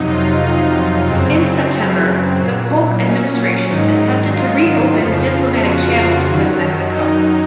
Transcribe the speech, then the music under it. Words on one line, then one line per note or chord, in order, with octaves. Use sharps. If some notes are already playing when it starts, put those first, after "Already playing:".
In September, the Polk Administration attempted to reopen diplomatic channels with Mexico.
Already playing: F2 C3 F#3 D#4
F4
D#4
F#2 C#3 F#3 C4
A#2 F#3
C#4
G#2 D#3 F#3 D#4
F4
F2 C#3 F3
F#4
F4
F#2 D#3 F#3
D#4